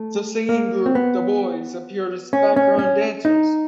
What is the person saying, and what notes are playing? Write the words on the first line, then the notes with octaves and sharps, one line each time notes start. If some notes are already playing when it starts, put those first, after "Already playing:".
The singing group The Boys appeared as background dancers.
Already playing: A3
A#3
C4
B3
C#4
C#4
C#4
D#4